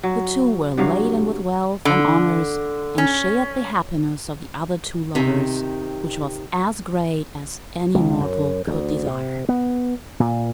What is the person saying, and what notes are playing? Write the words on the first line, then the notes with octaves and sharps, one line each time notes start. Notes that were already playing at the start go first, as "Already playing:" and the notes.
The two were laden with wealth and honours, and shared the happiness of the other two lovers, which was as great as any mortal could desire.
F#3
G2 C3 F#3 F5
D3
C#4
C3 D#3
C#2
F#2
D2
C3
B3
A#2